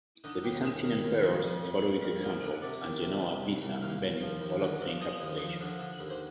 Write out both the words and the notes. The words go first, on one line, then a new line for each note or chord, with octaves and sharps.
The Byzantine Emperors followed this example, and Genoa, Pisa and Venice all obtained capitulations.
D3 D#4
D#2 G4
D#2 G#4
D#2 A#4
D#2
F3
F2
F2
F2
F2 A#4
F3
D3
C3 D5
D#3
C3
C3
C2
C2
D#2 F5
D#2
F3
D#2
D3
F3
F3 D#5
D#2
F3
D3
D3
D#2
C5